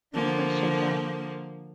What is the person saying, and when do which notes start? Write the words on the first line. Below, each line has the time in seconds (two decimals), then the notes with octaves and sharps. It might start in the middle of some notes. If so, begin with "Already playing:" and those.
I appreciate that.
0.14 D3 F3 A#3